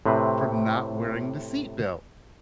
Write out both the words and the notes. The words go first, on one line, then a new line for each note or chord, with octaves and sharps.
for not wearing the seat belt.
A2 C3 C4 B4